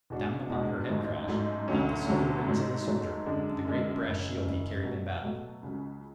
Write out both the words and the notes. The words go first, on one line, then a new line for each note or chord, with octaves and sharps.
Down upon her head crashed--not the silver rings of the soldier, but the great brass shield he carried in battle!
E2 B2 G#3 D4 F#4
E2 B2 G#3 D4 F#4
A1 G#2 F#3 A3
A1 G#2 F#3 A3
D2 D3 F#3 C#4
D2 D3 F#3 C#4
G#2 F#3 A3
G#2 F#3 A3
F#2 D3 G#3 D4
F#2 D3 G#3 D4
F#1 F#2 C#3
F#1 F#2 C#3
B2 F#3 A3
B2 F#3 A3
C#2 C#3 F#3